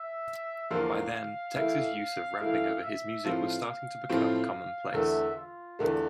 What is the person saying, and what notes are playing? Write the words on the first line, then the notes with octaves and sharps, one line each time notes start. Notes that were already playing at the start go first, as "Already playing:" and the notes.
By then, Tex's use of rapping over his music was starting to become commonplace.
Already playing: E5
E2 D3 F3 A#3 F4 F5
E3 A3 E4
E3 A3 E4 F5
E5
A2 F3 C4 F4 F5
A2 F3 C4 F4
E2 D3 A3 E5
F4
E2 D3 A3